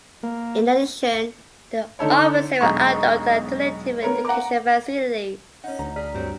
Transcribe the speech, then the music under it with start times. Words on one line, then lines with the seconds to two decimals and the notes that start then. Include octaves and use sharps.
In addition, they offer several adult and alternative education facilities.
0.23 A#3
1.99 D3 D#4 A4 C#5
2.61 E1 B1 G#4 A#5 C#6
4.02 B3 A#4 C#5
4.25 F#5 A#5 D6
5.64 C#4 D#4 F#5
5.79 D2 A#5
5.96 G#4 D5 F6 B6
6.14 G2 F#3 C4